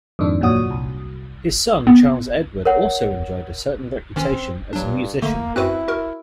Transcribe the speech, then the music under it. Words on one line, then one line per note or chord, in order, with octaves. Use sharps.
His son Charles Edward also enjoyed a certain reputation as a musician.
F2 G#2 D#3 D4
G1 A#2 F#3 F#4 D#6
C2
B3
A#4 C#5 F#5
D#3 E3 C4 C#4
G2 F#3 D4
D3 A3 A#3
F#2 C4 E4 F#4 B4 F#6
F#4 A#4